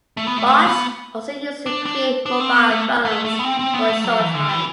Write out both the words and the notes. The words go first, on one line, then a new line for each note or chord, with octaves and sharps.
Bosch also used to create mobile phones for a short time.
A3
B3
A3
A3
B3
D4
D4
D4
C4
B3
A3
A3
A3
B3
C4
C4
B3
A3
F#3
E3
D3
E3